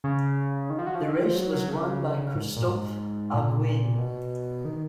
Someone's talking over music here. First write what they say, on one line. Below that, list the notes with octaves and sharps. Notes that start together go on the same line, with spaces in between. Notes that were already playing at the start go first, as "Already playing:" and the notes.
The race was won by Christophe Auguin.
C#3
D#3
F3
F#3
F3
D#3
F3
F#3
F#3
C#3
G#2
A#2
G#2
A#2
B2
D#3